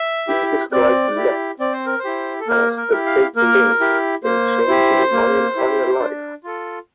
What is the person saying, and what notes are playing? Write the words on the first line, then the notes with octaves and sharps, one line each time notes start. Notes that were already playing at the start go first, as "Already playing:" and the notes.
He described Letts as "the big link in changing my entire life".
Already playing: E5
E4 G4
C4 D5
E4 G4
C4 D5
C5
A#4
C5
E4 G4
A4
A#3 A#4
A#4
E4 G4
F5
A#3 A#4
E4 G4
A#3 C5
E4 G4
A#3
E4 G4
D4
F4 A4